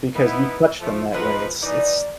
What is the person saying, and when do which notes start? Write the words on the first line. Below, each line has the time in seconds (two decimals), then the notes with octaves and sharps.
because you touch them that way, it's it's
0.16 B3 D#4 E4
0.80 F3 A3
1.13 F3 G#3 C4 A#4 B4
1.62 E3 D#4 A#4 D5